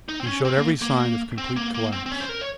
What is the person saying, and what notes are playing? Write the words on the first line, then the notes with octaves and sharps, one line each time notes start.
He showed every sign of complete collapse.
D#4
C4
C#4
C4
A#3
A#3
C4
A#3
A#3
C4
C4
C#4
C5
A#4
C#5